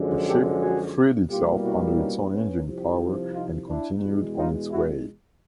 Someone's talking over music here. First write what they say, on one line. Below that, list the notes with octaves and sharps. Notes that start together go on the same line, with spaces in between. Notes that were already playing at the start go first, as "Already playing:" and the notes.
The ship freed itself under its own engine power and continued on its way.
Already playing: F#2 D3 F3 G#3
G4 A4
F#4 G#4
C2 B2 G3 A#3 F4 G4
E4 F#4
C#4 D#4
B3 C#4
C2 C3 F3
D#4 F4
D4 E4
E2 B2 G#3
D#4 F4
E4 F#4